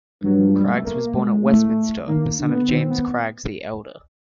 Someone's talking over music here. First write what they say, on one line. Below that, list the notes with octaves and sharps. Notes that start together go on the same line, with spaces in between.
Craggs was born at Westminster, the son of James Craggs the Elder.
G2 F#3
F3
G3
A3
A#3
G#3
A2 A3
D#3 A#3
D3
B3
D#3 C4
B3